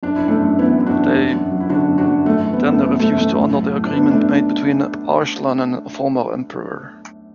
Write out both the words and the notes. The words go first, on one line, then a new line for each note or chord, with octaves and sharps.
They then refused to honor the agreement made between Arslan and the former emperor.
F#2 D4
E4
E3
A3 D4
F#2
E3 B3 E4
F#2
D4 F#4
E3
F#2
F#2
F#3
E4
D3 D4 F#4
F#2
D4 F#4
F#2
F#2 A3
E3
B3
F#2
A3
E3 B3
F#2 A3
E3 A3
A2
F#3
A2
D4
F#3 B3
A2 A3 D4